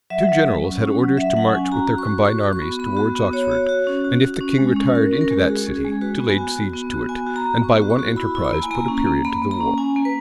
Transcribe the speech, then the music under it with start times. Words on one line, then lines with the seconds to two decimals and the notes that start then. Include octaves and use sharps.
The two generals had orders to march with their combined armies towards Oxford; and, if the king retired into that city, to lay siege to it, and by one enterprise put a period to the war.
0.10 F#3 E5
0.29 F#3
0.47 F#3
0.64 C#4
0.82 C#4
1.00 F#3
1.17 F#3 E5
1.36 F#3 F#5
1.53 C#4 G#5
1.72 F#4 A#5
1.90 F#4
1.98 C#6
2.07 F#4
2.25 F#4 C#6
2.43 F#4
2.53 C#6
2.62 B3
2.79 B3 B5
2.97 F#4
3.15 B3
3.33 F#4 C#5
3.52 F#4
3.69 F#4
3.87 C#4
4.04 F#4
4.23 F#4
4.41 C#4
4.58 G#3
4.76 C#4
4.95 F#4 A#4
5.13 C#4
5.21 A#4
5.31 G#3
5.48 F#4 G#4
5.67 C#4
5.75 G#4
5.85 G#3
6.01 F#4 B4
6.20 B3
6.29 G#5
6.38 F#4
6.55 F#4
6.73 B3
6.91 F#4
7.09 B3 G#5
7.27 F#4
7.36 A#5
7.46 B3
7.63 B3 C#6
7.82 F#4
7.90 C#6
7.99 F#4
8.16 E4 B5
8.35 E4
8.44 B5
8.53 A#3
8.63 G#5
8.71 A#3 A#5
8.88 C#4
8.97 A#5
9.07 A#3
9.25 A#3 B5
9.42 A#3
9.51 A#5
9.60 C#4
9.78 C#4 G#5
9.96 A#3
10.05 B4